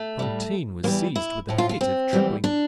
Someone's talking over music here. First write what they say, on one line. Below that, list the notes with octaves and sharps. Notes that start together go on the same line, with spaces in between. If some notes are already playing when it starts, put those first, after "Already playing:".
Fantine was seized with a fit of trembling.
Already playing: A3
A2 G3
E2 E3 G3 A#3
E4
A2 F3
F4
F4
C4
E2 E3 G3
D4